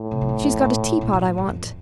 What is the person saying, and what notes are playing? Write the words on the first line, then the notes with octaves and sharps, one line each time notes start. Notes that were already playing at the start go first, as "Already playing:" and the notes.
She's got a teapot I want.
Already playing: A2
C3
F3
E3
F3
E3
A#2
A#2
A#2
A2
E3
F2